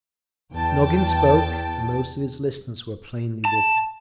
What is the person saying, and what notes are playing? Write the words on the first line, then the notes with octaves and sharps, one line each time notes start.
Nogin spoke, and most of his listeners were plainly with him.
E2 G5 A5
A5